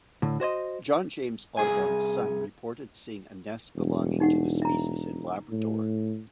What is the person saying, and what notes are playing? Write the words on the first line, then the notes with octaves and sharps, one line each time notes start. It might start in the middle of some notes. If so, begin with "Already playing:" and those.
John James Audubon's son reported seeing a nest belonging to the species in Labrador.
A2 D3
F#4 C5 C#5 D#5
C2 G#4 G#5
E1
D#4 G4 F#5
E5 A#5
A2